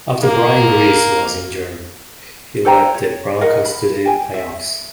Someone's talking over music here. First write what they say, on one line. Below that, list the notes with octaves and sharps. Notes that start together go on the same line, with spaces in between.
After Brian Griese was injured, he led the Broncos to the playoffs.
A#3
A4 C5 G5 A#5
C#5
A#4 D#5 F5 F#5
B5
G5 G#5
E5